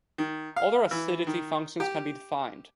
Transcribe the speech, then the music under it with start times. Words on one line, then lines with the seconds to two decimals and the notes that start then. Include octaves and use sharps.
Other acidity functions can be defined.
0.18 D#3
0.56 F5
0.91 E3
1.27 D#3
1.80 G4